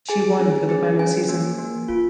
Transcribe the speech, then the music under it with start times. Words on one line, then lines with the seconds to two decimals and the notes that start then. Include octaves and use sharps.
She won for the final season.
0.09 G#4 G#5
0.39 C#4
0.69 G#4
0.99 C#4 G#5
1.29 A#3
1.58 A#3
1.88 F4